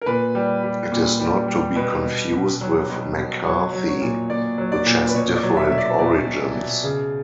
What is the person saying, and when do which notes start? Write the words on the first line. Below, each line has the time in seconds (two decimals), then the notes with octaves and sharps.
It is not to be confused with McCarthy, which has different origins.
0.02 A#4
0.06 A#2 B4
0.35 G3
0.63 G3
0.92 A#2
1.20 G3
1.48 G3
1.75 B2 B4
2.04 B2
2.32 B2
2.61 F#3
2.89 B2
3.17 B2
3.45 F#3 C#5
3.73 F#3
3.88 C#5
4.01 A#2
4.30 A#2 D5
4.58 F#3
4.72 D5
4.86 A#2
5.09 B4
5.14 B2 C#5
5.36 D5
5.43 F#3
5.57 E5
5.71 B2 E5
5.78 D5
5.99 B2 D5
6.27 B2
6.55 B2
6.84 C#3